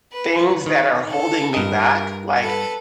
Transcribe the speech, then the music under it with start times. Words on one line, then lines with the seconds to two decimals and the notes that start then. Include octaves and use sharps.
things that are holding me back, like,
0.12 B4
0.66 D#3 D#4
1.08 A4
1.54 G2 A#4 D#5
2.40 A4 B4